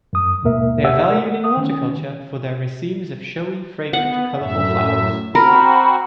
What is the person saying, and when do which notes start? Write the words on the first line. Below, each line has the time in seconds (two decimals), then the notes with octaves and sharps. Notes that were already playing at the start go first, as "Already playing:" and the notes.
They are valued in horticulture for their racemes of showy, fragrant, colorful flowers.
0.13 F#2 D#6
0.43 D#2 G#2 B2 A#3 A#4 E5
0.84 G4 C5 E5 F#5 E6
1.08 A#4 F#5
1.44 D#6
1.57 D#3 C#4
3.93 B3 F#5
4.38 F#2 A2 E5
5.35 C4 F#4 A#4 B5